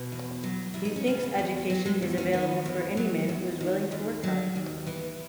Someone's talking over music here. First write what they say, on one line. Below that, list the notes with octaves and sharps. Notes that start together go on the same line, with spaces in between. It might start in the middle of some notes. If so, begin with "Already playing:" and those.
He thinks education is available for any man who is willing to work hard.
Already playing: B2
E2
F#3
E2 E4
D#4
C#4
C#3 B3
E2
F#3
G#3
E2
C#4
D#3 B3
E2
F#3
E2
D#3
D#2
F#3
D#2
E3 B3